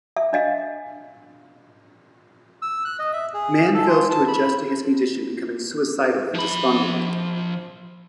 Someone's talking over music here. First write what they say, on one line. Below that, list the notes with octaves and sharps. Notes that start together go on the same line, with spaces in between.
Mann fails to adjust to his condition, becoming suicidal and despondent.
E5
D4 D#5 F5
E6
F#6
D#5
E5
G#4
A4
F4
A5
B5
F3 B5